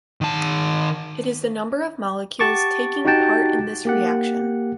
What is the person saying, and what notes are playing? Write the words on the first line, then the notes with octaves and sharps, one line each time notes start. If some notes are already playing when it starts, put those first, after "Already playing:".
It is the number of molecules taking part in this reaction.
D#3 A5
G4 F#5 A5 C#6 D6
D#4 F#4 G4 F#5 G5 A5
A#3 G4 F#5